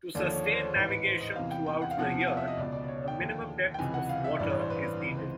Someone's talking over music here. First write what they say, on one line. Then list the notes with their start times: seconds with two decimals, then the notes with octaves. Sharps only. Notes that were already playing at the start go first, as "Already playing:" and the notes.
To sustain navigation throughout the year a minimum depth of water is needed.
0.15 D#2 D3 F3 D5
0.24 C#5
0.35 C#5
0.45 D5
0.54 C5
0.60 C#5
0.75 A1 G#2 E3 B4
0.90 B4
1.06 C5
1.21 D#5
1.36 E2 C3 E3 F5
1.51 G5
1.66 G5
1.82 F#5
1.91 F5
1.97 E2 C3 F3 F#5
2.21 F#5
2.27 F5
2.37 E5
2.48 D#5
2.57 C#2 B2 D5
2.72 D5
2.84 D5
2.88 C#5
2.98 D5
3.08 G5
3.18 D#2 D3 F3
3.74 G5
3.79 C#2 C3 E3 G#5
3.94 F#5
4.09 F5
4.24 E5
4.39 A1 G2 E3 D5
4.50 C#5
4.59 C5
4.70 B4
5.01 C#2 C3 E3
5.17 C5